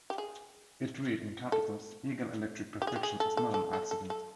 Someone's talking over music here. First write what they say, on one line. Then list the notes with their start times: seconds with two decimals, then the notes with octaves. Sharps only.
It read, in capitals, "Eagle Electric-Perfection is not an accident".
0.10 G4
0.18 G#4
1.52 A4
2.82 G4
2.87 G#4
2.96 G4
3.03 G#4
3.20 A4
3.37 A4
3.54 A4
3.73 A4
3.91 A4
4.10 A4